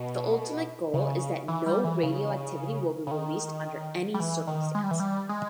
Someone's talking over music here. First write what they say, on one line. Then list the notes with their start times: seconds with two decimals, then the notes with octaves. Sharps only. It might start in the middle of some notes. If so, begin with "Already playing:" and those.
The ultimate goal is that no radioactivity will be released under any circumstance.
Already playing: B2
0.93 C#3
1.48 E3
1.66 G3
1.84 E3
2.03 C#3
3.07 C#3
3.11 D#3
4.14 G3
4.20 E3
4.47 D#3
4.75 G#3
4.83 G3
4.91 E3
5.00 G3
5.29 G#3